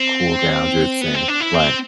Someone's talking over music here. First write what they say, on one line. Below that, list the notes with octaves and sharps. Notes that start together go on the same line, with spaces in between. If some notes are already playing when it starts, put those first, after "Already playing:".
Cool down, just seeing Right.
Already playing: C4
B3
C4
D4
E4
C4